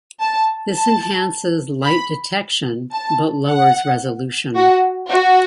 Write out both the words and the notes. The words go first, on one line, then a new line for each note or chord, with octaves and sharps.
This enhances light detection but lowers resolution.
A5
A5
B5
A5
F#5
F#4
F#4